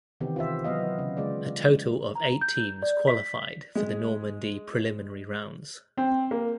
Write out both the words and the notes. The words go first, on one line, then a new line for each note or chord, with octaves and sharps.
A total of eight teams qualified from the Normandy preliminary rounds.
C3 D#3 E3 B3 C4 G4
F4 G4 C5 E5
F#3 B3 D#5 F5
C#3
C#3 G#3 F4 D5
A#5
G6
D5
B6
G#3
C4
A#3